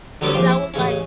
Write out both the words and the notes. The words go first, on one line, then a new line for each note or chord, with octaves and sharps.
because I was like
D3 F#3 G3 B3 G4 A4
A#1 F3 G4 C6
E4
A1 C#3 C#4